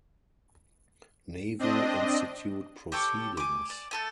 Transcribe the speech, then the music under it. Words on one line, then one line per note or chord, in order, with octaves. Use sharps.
Naval Institute "Proceedings".
C4 D4 D#5
G4 A4 C#5 D6
G#5 D6
D5
A3 A4 G#5